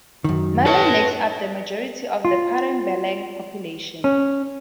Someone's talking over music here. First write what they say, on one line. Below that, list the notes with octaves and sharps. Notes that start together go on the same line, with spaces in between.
Malay makes up the majority of the Padang Balang population.
F#2 D#3
A4 B4 C#5 A5
F4
C#4